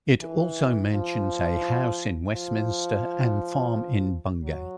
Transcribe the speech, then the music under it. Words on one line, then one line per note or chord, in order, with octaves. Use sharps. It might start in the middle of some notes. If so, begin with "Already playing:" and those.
It also mentions a house in Westminster and farm in Bungay.
E3
F3
F3
F#3